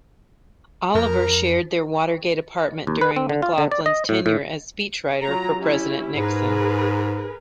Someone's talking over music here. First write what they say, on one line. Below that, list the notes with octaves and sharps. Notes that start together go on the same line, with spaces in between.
Oliver shared their Watergate apartment during McLaughlin's tenure as speechwriter for President Nixon.
F2 A#4
D#2
B4
C4
D3
F4
D3
D5
D#5
A2
A2
F#3 F4 A#5
C#4 E4 G4
G#2 G#4 A#4 B4